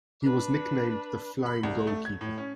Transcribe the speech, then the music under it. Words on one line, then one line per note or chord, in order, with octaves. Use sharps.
He was nicknamed the "Flying goalkeeper".
D4 B4
B5
C2
A3
G#6
A2
C#4